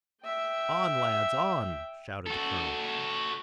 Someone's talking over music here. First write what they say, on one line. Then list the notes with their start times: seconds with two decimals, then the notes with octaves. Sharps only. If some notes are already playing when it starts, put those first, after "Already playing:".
"On, lads, on!" shouted the colonel.
0.22 E5 G5
2.27 F#4 A4